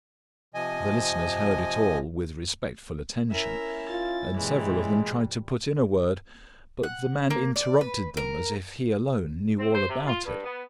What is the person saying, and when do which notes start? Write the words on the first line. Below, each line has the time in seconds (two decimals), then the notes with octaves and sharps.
The listeners heard it all with respectful attention, and several of them tried to put in a word, but the man interrupted them, as if he alone knew all about it.
0.55 C3 F3 D#5 G#5
3.31 C#4 E4 A#4 E5
3.90 F4 A6
4.36 A#2 E3 G3 G#3
6.83 F#5
7.30 A#3
7.56 D5
7.81 B4
8.17 A#4
9.59 C4
9.73 C5
9.88 C3
10.06 F4
10.25 G2
10.43 B3